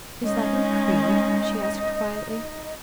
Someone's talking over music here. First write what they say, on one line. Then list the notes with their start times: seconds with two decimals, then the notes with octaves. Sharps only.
"Is that your creed?" she asked quietly.
0.24 G#3 C#4 D#4 D#5